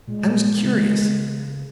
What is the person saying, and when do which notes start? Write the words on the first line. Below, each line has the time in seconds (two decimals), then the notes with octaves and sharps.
I was curious.
0.07 A#2 G#3
0.64 C#3